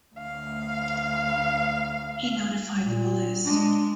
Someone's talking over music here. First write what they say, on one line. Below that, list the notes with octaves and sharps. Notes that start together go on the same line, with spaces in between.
He notified the police.
D2 F5
A#2
G#3 D4